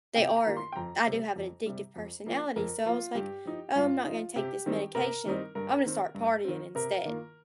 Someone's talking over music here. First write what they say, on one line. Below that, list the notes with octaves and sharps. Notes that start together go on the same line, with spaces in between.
they are I do have an addictive personality. So, I was like, "Oh, I'm not gonna take this medication. I'm gonna start partying instead."
C3 G5
A#5
D#3 A#3 F4
C6
G5
F2 A#5
C3 G3
F2
C3 G3
F2
F3 A#3
F2 A#4
F3 A#3 F4
G2 G4
F3 D#4
G2 F4
F3 D#4
C3 G4
D#3 G3 C4 D#4
C3 A#4
D#3 G3 C4 D#4
G2 A#4
D#3 C4
G2
D#3 C4
C3 A#4
D#3 A#3 F4